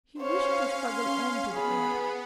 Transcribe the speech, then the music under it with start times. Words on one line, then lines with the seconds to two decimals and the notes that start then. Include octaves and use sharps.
He wished to struggle on to the end.
0.19 C#4 C5 C#5 F5
0.91 C6
1.53 B3 G#4 B5